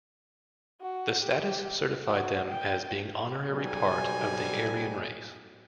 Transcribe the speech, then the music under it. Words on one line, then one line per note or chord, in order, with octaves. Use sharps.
The status certified them as being honorarily part of the Aryan race.
F#4
G4
F#4
G5
B1 G#2 B2 G3 G#5